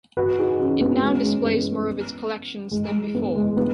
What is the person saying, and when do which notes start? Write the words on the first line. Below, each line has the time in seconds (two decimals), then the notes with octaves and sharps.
It now displays more of its collections than before.
0.17 F#4 B4
0.38 D#4 G#4
0.59 C#4 F#4
0.81 B3
1.02 G#3 C#4
1.23 G#3
1.45 B3
2.71 G#3
3.15 B3
3.36 G#3
3.57 B3